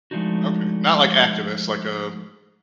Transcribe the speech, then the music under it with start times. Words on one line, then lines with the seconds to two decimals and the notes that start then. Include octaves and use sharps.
Okay, not like activists like a
0.11 F3 G#3 A3 D4 D#4 F#4